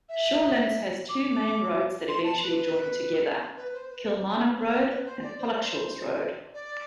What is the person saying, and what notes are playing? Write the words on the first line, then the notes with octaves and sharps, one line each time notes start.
Shawlands has two main roads that eventually join together, Kilmarnock Road and Pollokshaws Road.
E5
D6
C6
A5
B4
B4
C5
B4
C5
D5
B4
C5
D5
B4
C5
D5
C5
D5
C5
D5